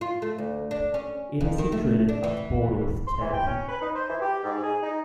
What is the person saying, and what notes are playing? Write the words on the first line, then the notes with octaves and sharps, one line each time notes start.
It is situated at the border with Turkey.
F4
A3
D2
D4
C#4
F2
D#3
A3
D4
E3
C6
E3
G5
C#4
B4
D#4
C5
E3
G4
G#2
G#4
D#4